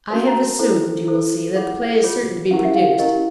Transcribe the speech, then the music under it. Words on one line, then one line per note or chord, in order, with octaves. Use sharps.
I have assumed, you will see, that the play is certain to be produced.
C#4 F#4 A#4 C#5
A#5
A5
E4 A4 C5 G5
E4 A4 C5
F4 G#4 C#5 F#5
F4 G#4 C#5
C#4 E4 G4 A#4 F#5
E5
F5
C#4 E4 G4 A#4 D#5